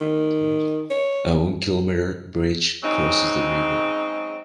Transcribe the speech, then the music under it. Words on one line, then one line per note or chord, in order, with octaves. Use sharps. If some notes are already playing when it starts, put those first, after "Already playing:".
A one-kilometer bridge crosses the river.
D#3
C#5
C#3 F#3 G#3 C4 D#4